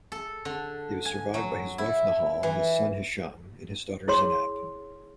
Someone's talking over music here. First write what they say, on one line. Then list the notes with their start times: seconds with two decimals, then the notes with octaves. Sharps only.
He was survived by his wife, Nehal, his son, Hisham and his daughter, Zeinab.
0.12 A4
0.45 D3
1.05 G#5
1.34 F#3
1.78 E4
2.43 E3
4.08 E4 G#4 C#5 C6